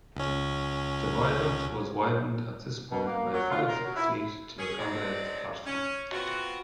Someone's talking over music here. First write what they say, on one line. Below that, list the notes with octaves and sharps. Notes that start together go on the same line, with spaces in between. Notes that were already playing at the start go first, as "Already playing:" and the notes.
The viaduct was widened at this point by five feet to accommodate the platform.
C#2 C#4
B2
A#3
F#3
F4
A#4
F#3
E4
C#4 G#4
A2 C3 F#3 G#3 C4 D5
C#4
B3 C4 F4 F#4